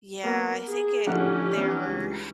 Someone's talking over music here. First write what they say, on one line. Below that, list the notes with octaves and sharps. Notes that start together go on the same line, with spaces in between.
Yeah, I think it there are
A#3 B3 A#4
G#4
A1 D3 F3 C#4 G4 F#5
E3 G3 C4 D4
C#2